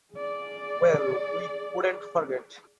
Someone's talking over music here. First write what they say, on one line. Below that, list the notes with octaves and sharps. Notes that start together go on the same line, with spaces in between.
Well, we couldn't forget.
G#4 D5